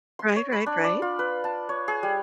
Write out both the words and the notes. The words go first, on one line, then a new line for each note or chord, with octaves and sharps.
Right, right, right.
C6
C#5
B5
D4
D5
F4
B4
A5
C#5
G#4
G3